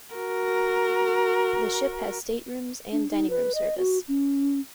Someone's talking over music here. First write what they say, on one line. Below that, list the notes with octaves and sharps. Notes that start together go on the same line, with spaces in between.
The ship has staterooms and dining room service.
F#4 A#4
D4
D#4
B4
D#5
F#4
C#4